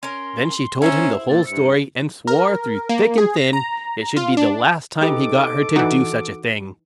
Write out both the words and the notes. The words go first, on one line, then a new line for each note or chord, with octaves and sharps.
Then she told him the whole story, and swore, through thick and thin, it should be the last time he got her to do such a thing.
C#4 A#4 C6
C#4 E4 C5 E5 A#5
A#2 A6
G2 C#7
A#4
A#3
G#4
A#6
A#5
F4
D4
D#4 G4 A4 B4 D6
E3 D#4 F#4